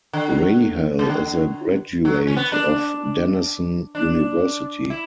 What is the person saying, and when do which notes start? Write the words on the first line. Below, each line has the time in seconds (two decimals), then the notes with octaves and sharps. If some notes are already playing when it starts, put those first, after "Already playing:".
Rahal is a graduate of Denison University.
0.13 D3
0.99 C#3
1.09 D3
2.05 F#3
2.27 C#4
2.36 B3
2.52 D4
3.95 D4
4.90 E4